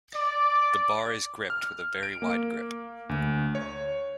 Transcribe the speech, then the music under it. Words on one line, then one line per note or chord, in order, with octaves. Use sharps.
The bar is gripped with a very wide grip.
D5
F6
D7
A#3
D2
C#5